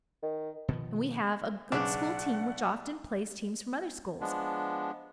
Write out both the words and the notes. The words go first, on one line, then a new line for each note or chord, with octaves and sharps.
And we have a good school team which often plays teams from other schools.
D#3
B2 D#3 F3
B1 C#3 D4 F#5
F3 G#3 B3 D4